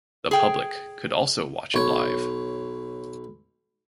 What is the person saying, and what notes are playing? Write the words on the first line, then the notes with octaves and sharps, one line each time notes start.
The public could also watch it live.
G#4 G5
B1 C#5